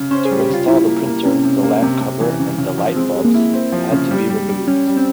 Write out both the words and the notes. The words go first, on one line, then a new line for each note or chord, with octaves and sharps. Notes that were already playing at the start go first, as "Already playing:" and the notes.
To install the printer, the lamp cover and light bulbs had to be removed.
Already playing: C#3
C#4 C5
G#4
G3
G4
C#3 F4
G3 E4
A#3
A#3
C3 C#4
C3
A#3
C3
C3
E3
C#3
C#3
F3
G#3 C4
G#3
A#3
E4
C4
F3
C#3
G3
G3
G3
G3 C#4
G3
C4